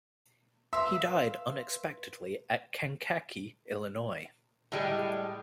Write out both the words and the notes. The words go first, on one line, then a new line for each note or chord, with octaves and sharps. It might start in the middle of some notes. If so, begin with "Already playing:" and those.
He died unexpectedly at Kankakee, Illinois.
B4 E5 F5 C6 E6
A2 G3 G#3